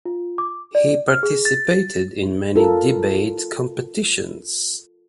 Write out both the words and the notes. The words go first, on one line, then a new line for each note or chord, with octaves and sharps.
He participated in many debate competitions.
F4
D6
D5
F6
G#4
A6
F4 A4 A#4